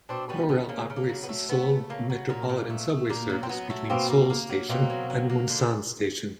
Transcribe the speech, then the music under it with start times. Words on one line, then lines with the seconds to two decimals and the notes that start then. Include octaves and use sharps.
Korail operates the Seoul Metropolitan Subway service between Seoul Station and Munsan Station.
0.09 B2 C4 D4
0.29 G3 B3 C#4
0.49 B2 B3
0.69 C#3 A#3
0.90 C#3
0.96 A#3
1.09 F#3
1.23 B3
1.29 A3
1.49 C#3 B3
1.69 A3
1.89 C#3 A#3
2.10 F#3
2.29 A#2 A#3
2.49 A#2
2.70 A3
2.89 A3
3.09 A#2 A#3
3.30 F#3
3.43 C4
3.49 F#3 B3
3.70 A3
3.90 B2 A#3 C4
4.10 A#3
4.30 A#3
4.49 F#3
4.69 B2 A#3 C4
4.90 F#3
5.10 F#3
5.30 A#3
5.50 D3